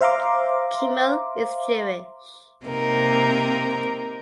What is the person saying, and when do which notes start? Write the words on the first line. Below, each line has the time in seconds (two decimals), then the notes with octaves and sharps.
Kimmel is Jewish.
0.01 C5 E5 F5 A#5 C6 D6
2.65 C3 A#3 C4 D#4 A#4